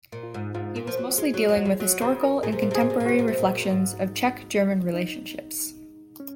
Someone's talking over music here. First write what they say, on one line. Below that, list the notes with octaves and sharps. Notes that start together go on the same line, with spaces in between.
He was mostly dealing with historical and contemporary reflections of the Czech-German relationships.
A#2
F4
G#2
G#2 F4
A#2
F3
F#3
G#3
F#3
F#3
G#3
F#3 F#4
C#3 C5
A#4
A#2 G#4
C3
A#2
C3
G#4
A#2
C3
A#2
C3 F#4
A#2
C3
A#2
F#2
G#2
D#4
C#4